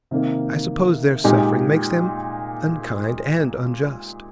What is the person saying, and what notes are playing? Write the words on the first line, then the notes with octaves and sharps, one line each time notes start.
I suppose their suffering makes them unkind and unjust.'
C3 D#3 A#3 D#4
A#2 G#3 D#4 G4